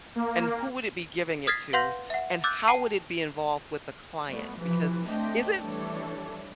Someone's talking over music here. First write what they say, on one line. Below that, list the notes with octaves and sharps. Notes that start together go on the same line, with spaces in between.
and who would it be giving it to, and how would it be involved with the client? Because is it"
A#3
D#6 F6 G#6 A6 B6 C7
B4 F5 F#5 C6 G6 A#6
E5 F#5
D6 E6 F#6 G6 A6
G5 A5 C7 D#7
G3 A3 B3
C3 E3 F3 B4
A3 C4 D4 D#5 G5
E3 G3 D4 A4 C#5